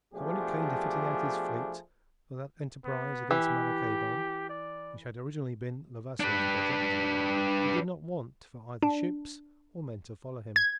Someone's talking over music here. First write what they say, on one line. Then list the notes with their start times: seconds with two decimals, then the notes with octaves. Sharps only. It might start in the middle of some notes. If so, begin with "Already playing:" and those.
So when it came to fitting out his fleet for that enterprise against Maracaybo, which had originally been Levasseur's project, he did not want for either ships or men to follow him.
0.14 B2 F3 A3 D4 G4 G#4
2.85 B3
3.31 E3 G4
4.49 D5
6.20 D4 B4
8.82 D4
10.56 G#6